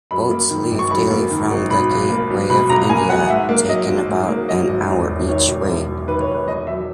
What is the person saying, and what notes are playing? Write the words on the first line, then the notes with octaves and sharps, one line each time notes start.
Boats leave daily from the Gateway of India, taking about an hour each way.
F#2 B5
A#3
D#3
G#1
C#6
F#2 B5
A#3
D#3
G#1
B2 B5
B1
A#3
B1
B2 B5
B1 A#5
A#3 G#5
B1 F#5
G#2 E5
A#3
F#3 D#5
G#1
G#2
A#3
F#3 D#5
G#1
E2
E1
D#3 C#5
E1
E2
E1
D#3 B4
C#5
E1
B4
E2 D#5
F#3 E5